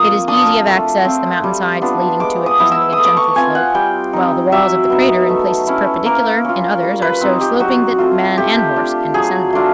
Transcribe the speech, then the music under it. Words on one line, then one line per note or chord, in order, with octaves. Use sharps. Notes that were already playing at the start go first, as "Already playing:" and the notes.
It is easy of access, the mountain sides leading to it presenting a gentle slope; while the walls of the crater, in places perpendicular, in others are so sloping that man and horse can descend them.
Already playing: F3 A#3 C4 D#6
D4 F4 D#6
A3
C4 F4
G3
B3 D4 F4
G#3 D6
D#6
B3 E4
E6
D#6
A3
D6
C#6
C4 F4 G#5
F#5
G3 G5
C4 D#4
F#3 E5
B3 D#4
A3
C#4 E4
A#3 A#4
C#4 F4
G3
B4
C4 D#4
G4
F#3 F#4
A3 C4 F4
A3 G4
D4 F4
F#3 G#4
A3 D4 F4